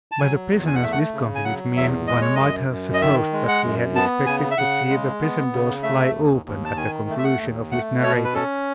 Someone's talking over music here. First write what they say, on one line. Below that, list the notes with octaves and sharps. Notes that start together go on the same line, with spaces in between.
By the prisoner's discomfited mien one might have supposed that he had expected to see the prison doors fly open at the conclusion of his narrative.
A5
F#3 G#5
E2
G#5
F#5
A3 E5
F#5
C#3
G#5
F#3 F#5
E2 E5
G#3 D#5
C#5
F#2 D#5
F#2
D#5
D#3 E5
G#3
F#5
F#2
B3 A5
C#3 G#5
E5
C#3 F#5
G#3
B3
C#3
A3 E5
D#2
D#2
A5
D#3 G#5
A3
E5
F#5
D#2
A3 F#5
B2 C#5
B4
C#4 A4